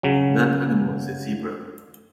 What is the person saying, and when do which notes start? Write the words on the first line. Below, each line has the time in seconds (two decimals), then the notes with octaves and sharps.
That animal is a Zebra.
0.03 C#3 F#3